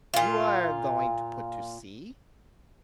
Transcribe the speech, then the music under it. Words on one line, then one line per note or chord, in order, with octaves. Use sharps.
"You are going to put to sea?"
A#2 F4